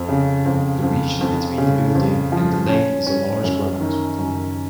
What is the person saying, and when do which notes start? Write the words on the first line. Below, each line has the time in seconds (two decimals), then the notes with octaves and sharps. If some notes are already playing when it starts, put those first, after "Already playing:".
The region between the building and the lane is a large ground.
Already playing: F2
0.09 C#3
0.46 F2
0.83 F2
1.21 F2
1.58 C#3
1.95 F2
2.32 F3
2.69 C#4
3.07 C#4
3.44 F#2
3.80 D#3
4.18 F#2